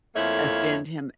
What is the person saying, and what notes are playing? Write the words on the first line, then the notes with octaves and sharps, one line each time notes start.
offend him,
F2 A3 A#3 E4 C#5